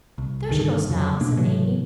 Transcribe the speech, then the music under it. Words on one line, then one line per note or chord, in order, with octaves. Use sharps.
"There she goes now," said Amy.
C2
C2 G2 D3 D#3
F2 C#3 F3 F#3
B2 A#3 D4
G#2 C3 E3 F#3